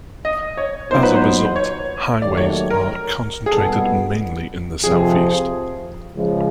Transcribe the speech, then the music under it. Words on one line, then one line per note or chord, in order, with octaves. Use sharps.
As a result, highways are concentrated mainly in the southeast.
D#5
C#5
A#2 F#3 B3 D#4 C5
B4
C5
C#5
D#2 D#3 F#3 A3 D5
C#5
A#4
G#4
C2 B2 G3 B3 A4
F2 C3 F3 G#4
C#2 C#3 F3 G#3